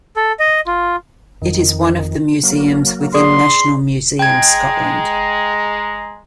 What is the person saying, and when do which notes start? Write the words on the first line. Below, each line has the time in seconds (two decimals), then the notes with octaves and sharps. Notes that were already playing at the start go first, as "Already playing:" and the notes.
It is one of the museums within National Museums Scotland.
0.17 A4
0.40 D#5
0.67 F4
1.42 F2 D#3
2.43 F#3 A#3
3.14 G#4 D5 C6 D#6
4.19 G#3 G5 A#5 G#6